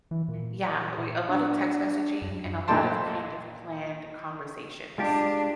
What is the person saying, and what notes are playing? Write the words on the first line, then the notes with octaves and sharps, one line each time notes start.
yeah, we a lotta text messaging, and a lot of, kind of, planned conversations.
E3
A#2
D4
F#2
A#2 D#4 A4 G5 A5 C6
G#3 D4 F4 G4